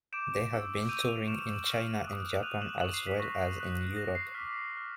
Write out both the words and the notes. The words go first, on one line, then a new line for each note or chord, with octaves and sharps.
They have been touring in China and Japan as well as in Europe.
D6 G6 D7 E7
C#6 E6 G6
C#6 E6 G6 D#7 F7
D#7 F7
C#6 F6 D7 E7
D#7 F7
E7 F#7
C#6 F6 E7 F#7
D#6 F#6
D#6 F#6 D#7 F7
E7 F#7
C#6 F#6 E7 F#7
C7
B6
C#6 F#6 A#6
D#6 F#6
D#6 F#6 A#6
C7
D6 F6 B6
D6 F6